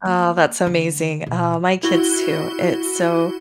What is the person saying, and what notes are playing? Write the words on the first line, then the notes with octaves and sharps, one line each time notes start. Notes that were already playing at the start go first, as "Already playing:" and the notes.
Oh, that's amazing, oh, my kids too, it's so
A#3
D3
B2
E4 F#4 G7